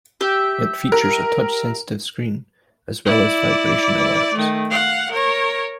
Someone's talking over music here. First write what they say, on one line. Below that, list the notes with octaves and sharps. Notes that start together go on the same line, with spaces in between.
It features a touch sensitive screen as well as vibration alerts.
G4 E5
A#4
E4 D5
D#3 A3
F5 F#5
A#4 C#5